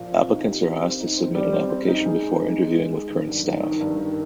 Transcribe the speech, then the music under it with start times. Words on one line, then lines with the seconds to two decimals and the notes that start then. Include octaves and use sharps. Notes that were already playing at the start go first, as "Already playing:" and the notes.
Applicants are asked to submit an application before interviewing with current staff.
Already playing: A#2 F3
0.12 C4
0.29 D#4
0.47 G4
0.64 C4
0.82 C4
1.00 D#4
1.17 C4
1.35 G3
1.52 C4
1.70 C4
1.88 D#4
2.06 G#4
2.22 G#3
2.40 D#4
2.58 G#3
2.75 D#4
2.93 G#4
3.10 D#3
3.28 G2
3.45 D#3
3.63 D#3
3.81 G2
3.98 D#3